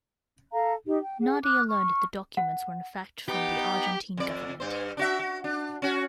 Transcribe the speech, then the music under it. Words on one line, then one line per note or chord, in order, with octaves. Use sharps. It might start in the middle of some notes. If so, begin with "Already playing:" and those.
Nadia learned the documents were in fact from the Argentine government.
A4 F5 A#5
D#4 G4
G5
G#4 F#5
D6 F6 F#6
C#6 F6
F#5
B3 D#4 G4
F2 D5
G2 C5
D4 F#4 E5
F#4
D4
C#4 F#4